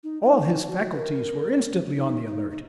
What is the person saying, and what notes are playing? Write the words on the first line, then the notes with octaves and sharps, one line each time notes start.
All his faculties were instantly on the alert.
D#4
D#4
D#4
F#4
B4
A#4
D#4
D#4
D#4